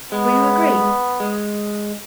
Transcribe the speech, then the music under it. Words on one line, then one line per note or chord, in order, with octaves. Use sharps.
Will you agree?
G#3 B3
G#3